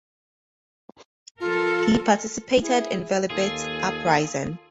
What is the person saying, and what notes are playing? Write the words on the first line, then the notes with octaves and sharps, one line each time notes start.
He participated in Velebit uprising.
F3 F4 A4 A#4
E4 G#4
D#2 F4 G#4 A4